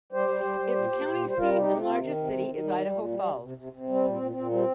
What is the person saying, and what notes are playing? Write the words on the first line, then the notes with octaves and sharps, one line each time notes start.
Its county seat and largest city is Idaho Falls.
G3 G4 C5
G3
G3
G3
A#2
A#2
A#2
G3
C5
G3 F4 A#4
C3 F4
D#4 G4
C3
C3 C4 F4
D#3
C3
D#3
D#3
G3
G3
A#2
G3
C3
C3
C3
C3
G3 C4
A#2 C4
A#2
A#2 C4
G3 C4